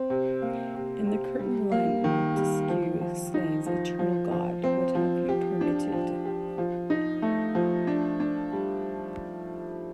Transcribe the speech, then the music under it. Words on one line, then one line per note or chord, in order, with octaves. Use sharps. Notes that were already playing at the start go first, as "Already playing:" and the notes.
In the curtain-line Montesquieu exclaims Eternal God, what have you permitted!...
Already playing: C4
C3
A#3
C3
C3
G3
A#3
D#3
G3
F3
F3
D#4
F3
F3
F3
C4
F3
G4
D4
F3
G4
F3
D#4
A3
F3
D4
D4
G3